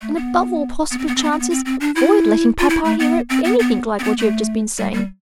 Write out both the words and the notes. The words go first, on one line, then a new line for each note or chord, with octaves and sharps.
'And above all possible chances, avoid letting papa hear anything like what you have just been saying.
A3
B3
B3
C4
B3
C4
B3
C4
B3
C4
C4
D4
E4
F4
E4
A3
B3
C4
B3
B3
C4
B3
A3
G3
G3